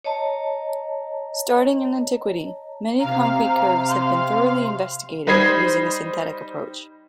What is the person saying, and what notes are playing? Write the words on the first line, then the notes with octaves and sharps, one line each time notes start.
Starting in antiquity, many concrete curves have been thoroughly investigated using the synthetic approach.
C#5 D#5 A5 A#5
C3 F5 A#5
C6
G3 D#4 C5 B5 G#6 C7